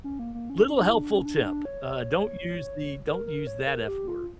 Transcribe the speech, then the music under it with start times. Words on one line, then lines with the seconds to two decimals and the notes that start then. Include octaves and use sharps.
little helpful tip. Uh, don't use the don't use that f word,
0.04 C#4
0.19 A#3
0.34 A#3
0.50 C#4
0.58 D4
0.65 C#4
0.80 D4
0.88 E4
0.94 D4
1.10 C#4
1.25 D4
1.45 D4
1.65 C#5
3.07 A#4
3.27 A#4
3.47 C#5
3.67 A#4
3.88 G4
4.08 F4